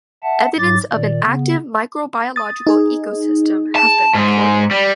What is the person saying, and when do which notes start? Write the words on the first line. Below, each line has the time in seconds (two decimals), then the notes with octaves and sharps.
Evidence of an active microbiological ecosystem have been reported.
0.23 E5 F#5 A5
0.58 G#2 F#3 D6 A6
0.91 A#2 D#3 D5
1.24 C#3 B3
2.36 D#6 A6
2.67 D#4 G#4
3.76 A5
4.14 G#2
4.71 G3